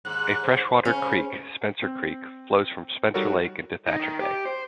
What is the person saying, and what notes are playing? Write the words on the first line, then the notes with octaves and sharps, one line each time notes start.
A freshwater creek, Spencer creek, flows from Spencer Lake into Thatcher Bay.
D#2 G#2 F#6
C5
C#3 C#4
C4
G3 D#4 F#4 A4 A#4 C#5
D#4
D#3
G4
C5